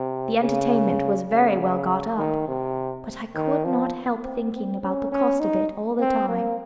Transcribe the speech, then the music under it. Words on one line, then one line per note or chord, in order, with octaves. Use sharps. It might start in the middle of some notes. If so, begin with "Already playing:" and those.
The entertainment was very well got up; but I could not help thinking about the cost of it all the time.
Already playing: C3
C#3
C#3
D#3
C3
D#3
F3
C4
C4
C#4
C#4
D#4
C4
A#3